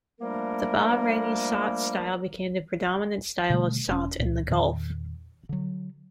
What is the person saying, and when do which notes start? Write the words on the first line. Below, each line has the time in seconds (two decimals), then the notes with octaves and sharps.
The Bahraini "sawt" style became the predominant style of "sawt" in the Gulf.
0.21 F3 G3 A3 A#3 D4 A#4
3.50 B2 D3 G3 A3
3.89 E1 G2 C#4
4.19 C#2 A#2
4.48 E2 A#2 D#3
5.49 D3 F#3